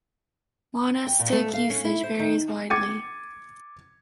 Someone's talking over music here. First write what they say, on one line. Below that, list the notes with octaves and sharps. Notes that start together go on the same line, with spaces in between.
Monastic usage varies widely.
G5
A#2
A3
F5
C#4
E4
C5
D#3
D6 G#6 A6 C#7 D#7